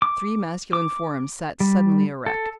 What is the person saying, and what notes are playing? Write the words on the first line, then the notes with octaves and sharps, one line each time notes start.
Three masculine forms sat suddenly erect.
D6
D6
G3
A4